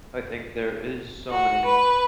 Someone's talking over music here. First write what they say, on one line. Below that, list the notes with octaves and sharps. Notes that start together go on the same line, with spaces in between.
I think there is so many
F#4
B4